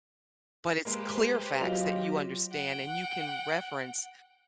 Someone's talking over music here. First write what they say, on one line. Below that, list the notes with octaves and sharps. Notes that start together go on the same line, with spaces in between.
but it's clear facts that you understand, and you can reference
G#3 A#3 G4 B4 C5
F#3 F4 G4 D#5 F7
F#5 G5